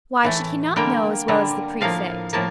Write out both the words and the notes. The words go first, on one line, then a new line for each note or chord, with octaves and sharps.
'Why should he not know as well as the prefect?
A2 E3 A3
D3 G3 A#3 G5
D3 G3 A#3
A2 F3 A#3 F5
A2 F3 A#3 A5